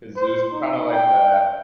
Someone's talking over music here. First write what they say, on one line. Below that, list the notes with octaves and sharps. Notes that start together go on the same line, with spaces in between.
'Cause it was kinda like that
C5
D#4
G5